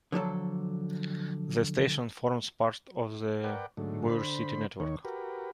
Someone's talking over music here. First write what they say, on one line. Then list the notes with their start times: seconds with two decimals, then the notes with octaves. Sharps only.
The station forms part of the Bauer City network.
0.12 D3 F3 F#3 A4
3.44 A#4 B4 D5 F#5 G5
3.77 G#2 D3 F#3 A3
4.10 D3 C5 B5
4.80 D#2 D#3 C#5
5.05 F#4 G4 A#4 B4